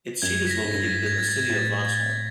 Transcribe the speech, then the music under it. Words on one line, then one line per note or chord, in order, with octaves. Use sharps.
Its seat is located in the city of Vaxholm.
F#2 G#6
B6
A#6
G#2
G2 A6
F#2
G2
G#2 G#6
A6
G#6
A2